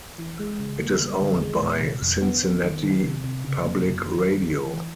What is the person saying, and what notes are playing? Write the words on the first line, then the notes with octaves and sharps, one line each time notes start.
It is owned by Cincinnati Public Radio.
E3
G#3
C#3
A#3
G3
D3
G#3
A#2
C3
F2
B3
B3
D#3
D#3
C3
C3
C#3
A#3
F#2
D#3
G#3
G#3
E3